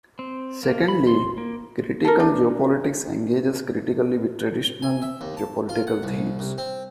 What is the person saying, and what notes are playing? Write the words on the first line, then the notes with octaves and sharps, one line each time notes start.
Secondly, critical geopolitics engages critically with 'traditional' geopolitical themes.
C4
A#3
B5
C6
A#3
A4 A#4
D4
G#5
E5
D#2
A5
F4
F#5
C2
C2
C4